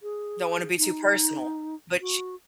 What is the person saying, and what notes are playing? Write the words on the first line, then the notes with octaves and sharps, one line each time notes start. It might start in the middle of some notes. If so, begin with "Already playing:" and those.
don't wanna be too personal, but she
G#4
D#4
F#4